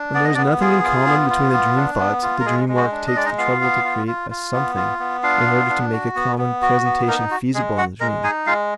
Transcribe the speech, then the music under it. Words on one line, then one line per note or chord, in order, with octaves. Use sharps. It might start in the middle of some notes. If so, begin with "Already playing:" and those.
When there is nothing in common between the dream thoughts, the dream work takes the trouble to create a something, in order to make a common presentation feasible in the dream.
Already playing: D4
B3 D5
D#5
D4 D5
B3
F4 G#4
F4
B3
F4
B3
D4
B3
F4
A#4
G#3 G#4
G#3
F#4
D4
D#5
G#3 D5
D#4 D#5
B3 F4 F5
B3
F4
F4
F4
B3
F4
B3
D4 F4 F5
B3
D4
F#4
B3
B3
F#4
B3
A#3 D#4 A#4
F#4
G#3 G#4
F#4 F#5
G#3 A#4 A#5
D#4 G#4 G#5
G#3 F4 F5